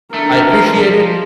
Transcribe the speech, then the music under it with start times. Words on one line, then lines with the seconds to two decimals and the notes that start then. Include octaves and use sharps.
I appreciate it,
0.14 A3 D4 A#4
0.53 F3